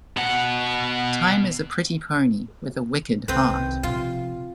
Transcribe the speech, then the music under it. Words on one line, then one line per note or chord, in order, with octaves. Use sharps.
Time is a pretty pony, with a wicked heart.
B2 F#5
C2 D#3 C4 B4
C3 F3 F4